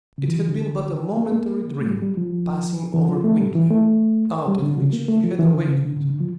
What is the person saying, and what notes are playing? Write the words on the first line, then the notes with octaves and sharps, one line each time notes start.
It had been but a momentary dream passing over Gwynplaine, out of which he had awakened.
C#3
E3
E3
D3
A#3
A3
A#3
A3
G3
G3
F3
E3
F3
A3
G3
E3
A3
G3
D3
C#3
A#3
A3
F3
E3
D3
C#3
D3
C#3
D3
F3